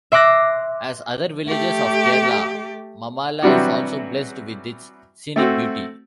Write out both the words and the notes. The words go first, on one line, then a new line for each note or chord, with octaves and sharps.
As other villages of Kerala, Mamala is also blessed with its scenic beauty.
E5 C6 D6 F#6 A#6
A3 G4
C3 E3 F#3 G3 D4 F#4
A3 C4 F#4